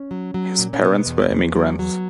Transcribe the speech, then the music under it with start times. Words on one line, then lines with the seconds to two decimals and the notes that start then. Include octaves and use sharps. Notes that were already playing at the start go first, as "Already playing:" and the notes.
His parents were immigrants.
Already playing: C#4
0.11 F#3
0.34 F#3
0.59 A#2
0.73 C#4
0.83 B2 B3
1.06 E2
1.31 E2
1.55 F#3
1.79 F#3